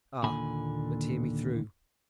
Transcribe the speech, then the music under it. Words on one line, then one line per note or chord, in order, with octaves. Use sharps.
Ah, but hear me through.
D#2 A#2 D3 G#5 B5